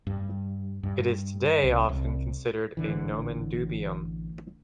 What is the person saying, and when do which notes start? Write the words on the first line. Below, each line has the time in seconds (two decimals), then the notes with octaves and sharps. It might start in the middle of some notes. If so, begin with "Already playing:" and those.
It is today often considered a "nomen dubium".
0.07 G2
0.83 G2
1.64 C2
1.89 C2
2.77 A1 D3 E3